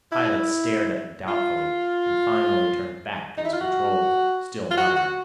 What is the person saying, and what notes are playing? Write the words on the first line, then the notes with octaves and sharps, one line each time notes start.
The pilot stared at her doubtfully and finally turned back to his controls, still muttering.
E4
F4
D#4
E4
F4
F#4
F4
F#4
F#4